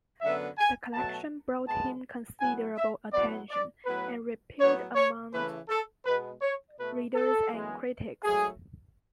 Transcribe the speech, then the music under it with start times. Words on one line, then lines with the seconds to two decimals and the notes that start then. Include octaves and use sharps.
The collection brought him considerable attention and repute amount readers and critics.
0.21 F#2 D3 F#3 B3 E5
0.58 G#5
0.94 B2 F#3 A3 A5
1.66 F#2 C#3 G#3 B3 A5
2.40 A2 F#3 B3 G#5
2.76 E5
3.13 A2 F#3 B3 D5
3.50 D5
3.85 A2 F#3 B3 B4
4.58 A2 F#3 B3 C#5
4.95 C#5
5.32 C#3 E3 A3 B4
5.68 A4
6.05 B2 G#3 B3 B4
6.41 C#5
6.78 B2 A3 B4
7.15 A4
7.50 F#2 E3 G#3 B3
8.23 G#2 F#3 A3 G#4